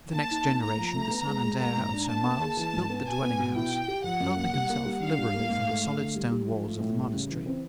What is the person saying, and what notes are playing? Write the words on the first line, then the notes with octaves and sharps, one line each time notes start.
In the next generation, the son and heir of Sir Miles built the dwelling-house, helping himself liberally from the solid stone walls of the monastery.
A#3 A5
D#4
A#3
A3 A#5
F3
A3
B3
G#3
G#3
A#3 A#5
G#2
D4
A#3 A5
A#3
G#4
E3
G#2
B3
B2 G#5
B3
B2
E4 G5
E4
G4
F3 F#5
F#2
A#3
G3
A#3
G3
D4 F5
G3
A#3
G#2
A3
A3
D3
G3
G3
F3
A3
A2
G3
C#3
E3
C4